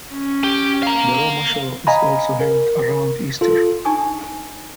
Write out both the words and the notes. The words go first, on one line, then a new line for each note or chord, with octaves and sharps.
The Roma Show is also held around Easter.
C#4
G4
F5 A#5
D#5 F5 G#5 A#5 B5
A#4
F4 A4
D4 D#4 G#5 A5 C#6 D#6